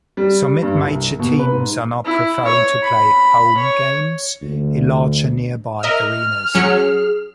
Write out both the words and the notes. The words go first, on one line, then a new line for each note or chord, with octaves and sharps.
Some mid-major teams are now preferring to play "home" games in larger nearby arenas.
G3
G2
C2
B2
B4
G#2
E4
C#5
B5
C#5
D2
A#4 D#5 E5 F6
F#3 C#4 G#4 C#7